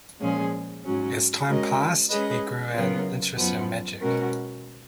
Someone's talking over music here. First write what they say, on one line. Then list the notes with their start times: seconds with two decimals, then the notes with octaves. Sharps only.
As time passed, he grew an interest in magic.
0.20 A#2 F3 G#3 C#4 G#4
0.83 G#2 F#3 C#4
1.47 G#3 C#4 F#4 A#4 D#5
2.11 G#3 C#4 G#4 B4 D#5
2.74 C#3 F#3 B3 F4 A#4
3.38 F#2 F3 B3
4.01 B2 G#3 C#4 F#4 A#4